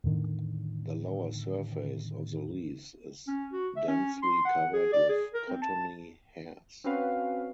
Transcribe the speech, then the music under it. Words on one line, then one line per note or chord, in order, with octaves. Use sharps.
The lower surface of the leaves is densely covered with cottony hairs.
E2 A2 D3 D#3
C#4
F#4
E5
C#4
C6
F#5
G#4
D5
G#4
A#4
C4
A5
C4 C#4 F#4 B4 F5